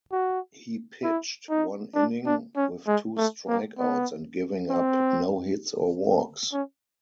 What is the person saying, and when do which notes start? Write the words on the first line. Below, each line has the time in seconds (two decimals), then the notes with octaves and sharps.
He pitched one inning with two strikeouts and giving up no hits or walks.
0.12 F#4
1.04 E4
1.49 D#4
1.95 D4
2.26 D4
2.56 C#4
2.87 G#3
3.17 A3
3.48 A#3
3.79 B3
4.70 C4
6.53 C#4